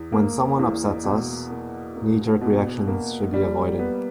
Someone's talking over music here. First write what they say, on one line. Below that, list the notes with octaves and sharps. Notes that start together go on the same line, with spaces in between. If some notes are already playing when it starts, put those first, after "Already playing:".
When someone upsets us, knee-jerk reactions should be avoided.
Already playing: E2
A#3
E2
B2
A#3
A#3
B2
A#3
G3
B3